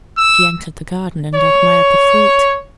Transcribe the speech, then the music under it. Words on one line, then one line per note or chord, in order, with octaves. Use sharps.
She entered the garden and admired the fruit.
E6
C#5